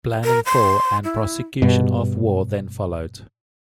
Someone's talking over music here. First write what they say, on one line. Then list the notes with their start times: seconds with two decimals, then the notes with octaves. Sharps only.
Planning for and prosecution of war then followed.
0.24 A#4
0.46 C6
1.04 E4
1.62 G2 B2